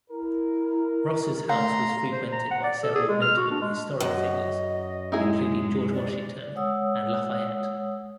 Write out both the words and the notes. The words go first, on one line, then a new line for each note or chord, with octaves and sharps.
Ross's house was frequented by several notable historic figures, including George Washington and Lafayette.
E4 A#4
A3 F5 A#5 C6
C5
A#5
F#5
D5
A4
G#4
G#3
F6
F#4
D4
G#3
F#2 D#5
G#3 D#4 E4 G#4
D5
G#3 C#5 F#5 D#6 E6